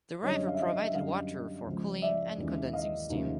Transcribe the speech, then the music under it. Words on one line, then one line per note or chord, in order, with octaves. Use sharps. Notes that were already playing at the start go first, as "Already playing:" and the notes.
The river provided water for cooling and condensing steam.
F#2 D3 G3 C#5 D#5
F5
E5
D#5 F5
E5
F#2 D3 G3 D#5 F5
C#2 C#3 F3 G#3
D5 E5
D#2 C#3 E3 G#3
D#5 F5
F1 D#2 C#3 F3 A3